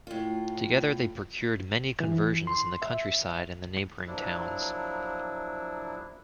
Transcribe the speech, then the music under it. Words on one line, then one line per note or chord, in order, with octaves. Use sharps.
Together they procured many conversions in the countryside and the neighbouring towns.
A2 F4
E3
C6
E5
F3 F#3 A#3 D4 E4